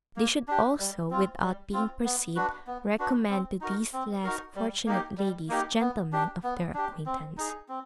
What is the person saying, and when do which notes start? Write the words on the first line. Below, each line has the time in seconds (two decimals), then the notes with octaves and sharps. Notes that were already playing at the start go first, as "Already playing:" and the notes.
They should also, without being perceived, recommend to these less fortunate ladies, gentlemen of their acquaintance.
0.16 A#3
0.48 D4 G4
0.80 G3
1.10 C4 F4
1.42 G3
1.73 C4 F4
2.05 B3
2.36 D4 F#4 B4
2.67 B3
2.99 D4 F#4 B4
3.29 C4
3.61 D#4 F#4 A#4
3.93 C4
4.24 D#4 F#4 A#4
4.55 G3
4.87 A#3 D#4 G4
5.18 G3
5.49 A#3 D#4 G4
5.80 B3
6.13 D4 G4
6.43 B3
6.74 D4 G4
7.06 C4
7.37 D#4 G#4
7.69 C4